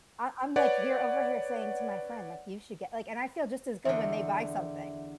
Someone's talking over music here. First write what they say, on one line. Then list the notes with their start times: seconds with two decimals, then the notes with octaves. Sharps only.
I I'm, like, here over here saying to my friend, like, "You should get" like, and I feel just as good when they buy something.
0.56 B4 C#5 D5 F#5
3.85 E2 D3 E5